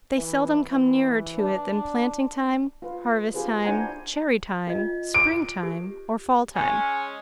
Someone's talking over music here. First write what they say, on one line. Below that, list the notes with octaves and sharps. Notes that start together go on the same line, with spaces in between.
They seldom come nearer to it than planting-time, harvest-time, cherry-time, spring-time, or fall-time.
E3
E3
D4
F4 B4
F4 G4 G#4 B4 C5
D4 E4 C5 F#5 G#5 A#5
F4 D#5
D6 D7
G4
G#3 C#4 G#5